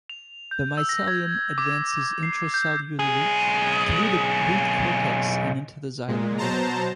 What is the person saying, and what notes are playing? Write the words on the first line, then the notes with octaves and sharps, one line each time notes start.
The mycelium advances intracellularly through the root cortex and into the xylem.
F7
G6
E6
A#6
G#6
D6
C7
G6
B1 G#4
A#2 G#3
B2 F#3 C5 A5 A#5